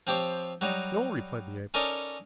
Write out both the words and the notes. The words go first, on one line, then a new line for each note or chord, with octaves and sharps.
"No," replied the ape.
F3 C4 G4 C#5
F#3 G3 D#4
C#4 D#4 A4 A#4 D5 D#5